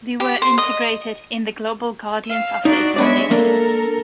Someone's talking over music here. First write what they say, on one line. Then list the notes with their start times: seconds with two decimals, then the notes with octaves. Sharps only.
They were integrated in the Global Guardians after its foundation.
0.20 G4
0.42 C5
0.58 D#5
2.25 F5 E6
2.65 D4 D#4 F#4 D5
2.96 G#3 B3 D4 C#5 D5 E5
3.31 A#3 D4 A4 A#4